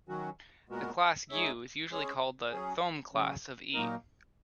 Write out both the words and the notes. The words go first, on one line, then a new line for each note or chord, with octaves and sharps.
The class "u" is usually called the Thom class of "E".
D#3 F#3 C#4 F#4
A#2 G#3 B3 F#4 A#4
G#3 D#4 G#4 C#5 E5
G#3 C#4 G#4 C#5
F#3 C#4 G#4
C#3 F#3 C#4
A#2 F#3 A#3 D#4 A#4